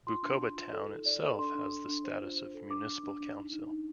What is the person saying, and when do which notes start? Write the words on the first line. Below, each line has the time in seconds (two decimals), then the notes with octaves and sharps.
Bukoba Town itself has the status of a municipal Council.
0.07 F4 C6
0.23 D4
0.39 D4
0.56 F4
0.73 A4
0.89 D#4
1.06 D5
1.23 A4
1.38 D4 C6
1.55 D4
1.72 A4
1.88 D4
2.04 C5
2.21 F4
2.37 C5
2.54 A4
2.70 D4 D6
2.88 D4
3.03 D4
3.21 D4
3.37 D#4
3.53 D#4
3.70 D#4